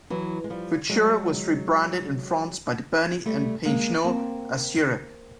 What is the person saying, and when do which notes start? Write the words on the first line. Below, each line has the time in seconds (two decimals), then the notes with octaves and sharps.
Futura was rebranded in France by Deberny and Peignot as "Europe".
0.10 E3 F#3
0.44 G#3
0.50 F3 G3
0.89 F#3 G#3
3.26 G3 A3
3.65 G#3 A#3
4.04 A#3 C4